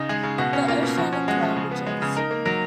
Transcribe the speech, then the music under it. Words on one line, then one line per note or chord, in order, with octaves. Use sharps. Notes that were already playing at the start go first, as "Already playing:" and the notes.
The Oceanic languages.
Already playing: C#3 D#4
G#3 G#4
C#3
B2 F#4
C#4
A#3 F4
B2
F3 F#4
C#4
G#3 F#4
F3
C#3
B3
G#3
C#3
D#4 A#4
A#3
F#3 A#4